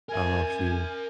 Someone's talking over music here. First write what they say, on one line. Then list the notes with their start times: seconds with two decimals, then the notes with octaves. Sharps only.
I don't know if you
0.09 A#4 E5 G#5